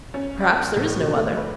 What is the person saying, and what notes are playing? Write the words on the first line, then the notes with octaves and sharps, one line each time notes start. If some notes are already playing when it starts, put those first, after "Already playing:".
Perhaps there is no other.
C#4
D5
A2
B2
A3
B4